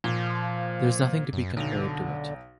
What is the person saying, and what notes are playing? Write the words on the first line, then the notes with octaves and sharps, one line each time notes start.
There is nothing to be compared to it.
A#2 F3 G7
F#2
B1 D3 F7